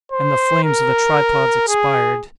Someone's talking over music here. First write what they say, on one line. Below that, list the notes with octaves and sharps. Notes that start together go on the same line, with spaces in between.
And the flames of the tripods expired.
C5
A#4
G#4